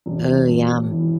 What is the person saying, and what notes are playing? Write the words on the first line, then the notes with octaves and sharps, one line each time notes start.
Oh, yum.
E1
E1
E3